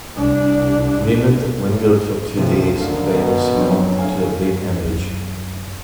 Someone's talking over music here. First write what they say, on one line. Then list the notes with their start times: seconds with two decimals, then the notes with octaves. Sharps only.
Raymond lingered for two days then succumbed to a brain hemorrhage.
0.15 C2 D4
2.37 D2 A2 C3 F3
2.81 A2 D3 D#3 F5
3.11 B2
3.54 F3 F#3 C4 D4
3.99 A2 D3 F5 G#5
4.85 F#2